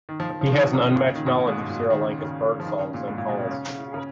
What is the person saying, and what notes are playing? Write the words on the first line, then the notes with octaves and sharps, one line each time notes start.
He has an unmatched knowledge of Sri Lanka's bird songs and calls.
D#3
F3
F3
F3
D#3
B2
C#3
A#2
C#3
D#3
B2
A#2
G#2
G#2
A#2
A#2
D#3
C#3
D#3
C#3
F3
D#3
C#3
A#2
G#2
A#2
B2
C#3
C#3
C#3